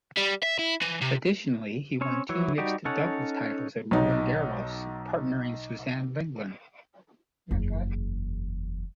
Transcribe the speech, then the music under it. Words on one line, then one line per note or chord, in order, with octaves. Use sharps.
Additionally he won two mixed doubles titles at Roland Garros partnering Suzanne Lenglen.
G3
E5
E4
E3
C3
C4 C#4 C#5
E3 F#3 E4 C#5
G3 D#4 F#4 G4 D5
C#4 D#4 A4 C#5 F#5
B1 D#4
F#1 E2